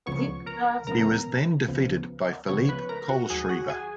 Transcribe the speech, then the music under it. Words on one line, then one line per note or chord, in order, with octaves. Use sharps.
He was then defeated by Philipp Kohlschreiber.
C#2 C#3 F3 B3 C#5 C#6
A#4 A#5
C#2 C#3 F3 B3 A#4 A#5
C#2 C#3 F3 B3
C#2 C#3 F3 B3 C#5 C#6
B4 B5
A#4 A#5
F#4 F#5
D#2 D#3 F#3 G#4 G#5
F#4 F#5
G#4 G#5